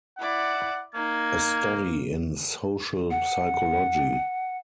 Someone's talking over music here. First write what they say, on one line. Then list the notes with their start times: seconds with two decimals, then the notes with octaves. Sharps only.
A Study in Social Psychology.
0.19 E4 D5 F#5
0.95 A#3 D#4 G#6
3.11 F#5